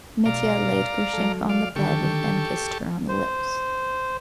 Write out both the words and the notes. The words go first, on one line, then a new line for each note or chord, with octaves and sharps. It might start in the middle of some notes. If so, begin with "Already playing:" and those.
Mitya laid Grushenka on the bed and kissed her on the lips.
B1 D5 F5 A#5
F#3 A4
D5 F5
D3 D#3 G4 A4 C#6
C5